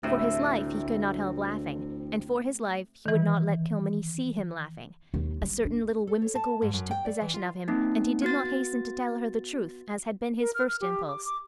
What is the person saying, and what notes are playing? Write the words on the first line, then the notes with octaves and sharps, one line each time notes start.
For his life he could not help laughing; and for his life he would not let Kilmeny see him laughing. A certain little whimsical wish took possession of him and he did not hasten to tell her the truth, as had been his first impulse.
D2 A2 C3
D#3 E3
D#2
G3
D4
A4
C#5
A5
G#2
F#2
G5
D5
E3
F4
A#3 C4 D#4
B3 F#4 A6
A#4
F6
F6
G4
D6
D6